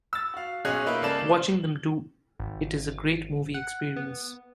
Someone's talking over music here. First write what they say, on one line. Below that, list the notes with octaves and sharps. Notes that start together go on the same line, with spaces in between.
Watching them do it is a great movie experience.
E6 A6
F#4 F5
B1 C#4 G#4 D#5 F#6 G#6
A#3 D#4 F4 B4 E5
C#2 C#3 A#3 A4 D5 E7
E7
G#1
F#5
B3